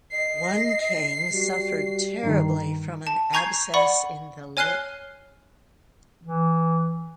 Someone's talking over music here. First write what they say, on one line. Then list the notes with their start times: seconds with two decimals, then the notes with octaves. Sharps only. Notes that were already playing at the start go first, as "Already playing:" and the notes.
One king suffered terribly from an abscess in the lip.
0.13 D#5 C7
1.32 G3 F#4
2.23 G2 D#3 A#5
3.07 A5
3.33 G#5 A#5 C#6 G6 G#6 C7
3.74 D5 F#5 B5 C#6
4.57 C#5 G#5 F6 F#6 C7 G7
6.24 E3